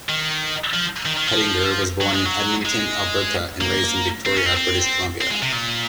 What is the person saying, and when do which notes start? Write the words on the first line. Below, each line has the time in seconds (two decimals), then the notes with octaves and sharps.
Pettinger was born in Edmonton, Alberta and raised in Victoria, British Columbia.
0.09 D#3
0.74 F3
1.06 D#3
1.17 D#3
1.27 F3
2.01 F#3
2.14 G#3
2.26 F#3
2.65 G#3
3.61 A#3
4.26 C4
4.36 C#4
4.46 C4
4.56 C4
5.21 C4
5.31 G#3
5.42 C3
5.53 A#2